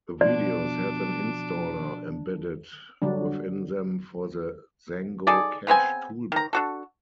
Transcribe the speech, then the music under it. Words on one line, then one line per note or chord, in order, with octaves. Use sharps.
The videos have an installer embedded within them for the Zango Cash Toolbar.
B2 F3 D4 D5
D3 F#3 G3 D4
D#4 G#4 A4 D5
C#3 B3 C4 G#5
D#3 A#5
D4 F#4 A4